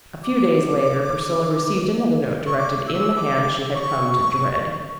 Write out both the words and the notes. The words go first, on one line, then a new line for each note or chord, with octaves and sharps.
A few days later Priscilla received another note directed in the hand she had come to dread.
D6
C#6
D6
E6
D6
C#6